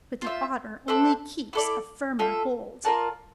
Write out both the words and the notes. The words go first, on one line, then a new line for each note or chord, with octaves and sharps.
But the otter only keeps a firmer hold.
F4 C5 E5
D4 A4 C5 E5
E4 A4 D5
F4 A4 E5
F4 A#4 D5 A5